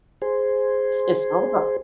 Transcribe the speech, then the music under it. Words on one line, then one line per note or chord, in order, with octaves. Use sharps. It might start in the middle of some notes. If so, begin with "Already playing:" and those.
It's all about
G#4 C5